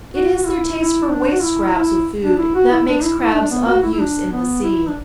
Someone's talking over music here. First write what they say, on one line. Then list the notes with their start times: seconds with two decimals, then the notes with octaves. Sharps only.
It is their taste for waste scraps of food that makes crabs of use in the sea.
0.14 F#4
0.35 F#4
0.46 E4
0.79 E4
1.11 D4
1.32 F#4
1.43 E4
1.75 E4
2.23 D4
2.38 E4
2.55 F#4
2.71 E4
2.87 D4
3.03 E4
3.19 E4
3.35 D4
3.51 B3
3.67 F#4
3.83 E4
3.93 E4
4.00 D4
4.32 B3
4.64 E4
4.88 D4